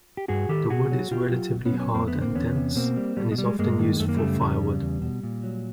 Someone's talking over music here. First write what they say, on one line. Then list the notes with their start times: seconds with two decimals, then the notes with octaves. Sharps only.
The wood is relatively hard and dense, and is often used for firewood.
0.17 G4
0.28 G2 F#4 G#4
0.49 D#3 G4 A4
0.70 B2 F#4 G#4
0.91 F#3
1.11 B2 F4 G4
1.31 F#3
1.53 B2
1.66 B3 C#4
1.73 F#3
1.79 B3 C#4
1.94 F2 A#3 C4
2.07 A3 B3
2.14 D3
2.21 A#3 C4
2.34 E2 B3 C#4
2.56 C3
2.75 B2 A#3 C4
2.97 G3
3.17 B2 G3
3.32 G#3
3.38 G3
3.45 G#3
3.59 G2 G#3 A#3
3.79 D#3
4.00 F#2 A3
4.09 A#3
4.17 C#3 G3 A3
4.41 F2 G3
4.61 C#3
4.81 E2
5.02 B2
5.23 A#2
5.44 F#3